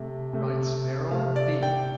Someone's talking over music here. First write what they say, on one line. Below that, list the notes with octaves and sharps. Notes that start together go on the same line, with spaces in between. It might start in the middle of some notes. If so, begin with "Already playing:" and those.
Writes Marilyn B.
Already playing: C3 A3
C3 A3
C3 A3 F5
D5
D5 G5